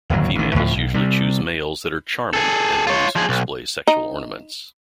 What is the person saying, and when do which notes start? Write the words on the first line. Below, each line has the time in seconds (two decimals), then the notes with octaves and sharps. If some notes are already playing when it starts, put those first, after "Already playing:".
Females usually choose males that are 'charming' and those who display sexual ornaments.
0.10 D1 G1 D#2 F#3
0.35 A1 D#3
0.54 D2 A2 F3
0.75 B1
0.94 C3 G3
2.33 G#4 A4
2.87 F4 C#5
3.16 F3 G#4
3.29 B1
3.87 D#4